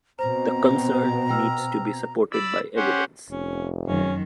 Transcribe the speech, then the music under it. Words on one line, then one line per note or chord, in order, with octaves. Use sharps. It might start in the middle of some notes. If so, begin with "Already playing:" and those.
The concern needs to be supported by evidence.
B2 C4 C5 A#5
G5 E6 F6
D5 B5 E6
C#4 G4 C5 F#5
F1 C#4
F#2 D#3 C#4